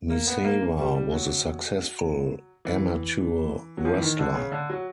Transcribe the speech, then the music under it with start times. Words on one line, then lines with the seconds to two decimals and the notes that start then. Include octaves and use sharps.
Misawa was a successful amateur wrestler.
0.10 A#3
0.27 B3
0.44 A#3
0.79 G3
0.95 G3
1.12 F#3
2.65 E3
3.77 F#3
3.85 F3
3.94 E3
4.01 D#3
4.19 D3
4.35 C#3
4.52 D3
4.70 F#3